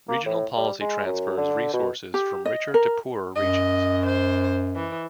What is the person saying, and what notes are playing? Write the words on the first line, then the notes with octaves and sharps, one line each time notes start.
Regional policy transfers resources from richer to poorer regions.
A#3
A2
G3
G#3
F#2
D3
B2
G4
D#5
A#4
F#2 D#5
C5
E3